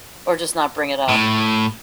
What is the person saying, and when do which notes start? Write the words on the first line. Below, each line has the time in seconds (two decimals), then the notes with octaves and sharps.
Or, just not bring it up.
1.08 A2